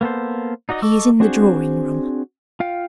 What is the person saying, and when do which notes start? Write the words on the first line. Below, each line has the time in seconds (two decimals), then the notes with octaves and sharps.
He is in the drawing-room.'
0.01 A#3 B3 A4 C5
0.69 D#4 F#4 D5 D#5
0.82 A4 D#5 C#6 D6 E6
1.20 C4 D4 F#4 G#4 C5
2.60 F4 F5 G5